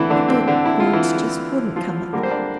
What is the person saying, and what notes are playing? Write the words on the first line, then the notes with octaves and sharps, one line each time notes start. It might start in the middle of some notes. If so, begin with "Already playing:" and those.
But the words just wouldn't come.
Already playing: D3 E3 A3 C4 D4 E4
D3 D4
C4
D3 D4
E4
F4
E3 E4
F3 F4
D3 G3 A#3 A#4
C5
D4 D5